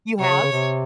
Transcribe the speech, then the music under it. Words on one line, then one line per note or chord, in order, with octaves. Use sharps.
You have?
C3 C#5
C#3
C#3
C3